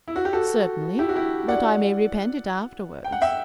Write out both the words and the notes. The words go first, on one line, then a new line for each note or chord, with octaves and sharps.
'Certainly; but I may repent it afterwards.'
E4
F#4
G4
F#4 A4
E4 G4
F#4
E4 G4
D5 F#5
G5
F#5
E5 G5